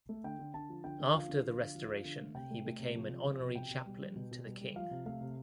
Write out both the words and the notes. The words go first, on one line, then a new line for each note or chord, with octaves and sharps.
After The Restoration he became an Honorary Chaplain to the King.
A3
D3 G5
D3
D3 A5
F3
D3 G5
D3
F3 F5
D3
F3
D3
F3
F3
D3
A3
C3 G5
A3
A3
C3
F3
C3
F3
C3
B2 G5
B2
G3
G3
B2
B2
G3
G3
F3 F5
C3
A3 F5
C3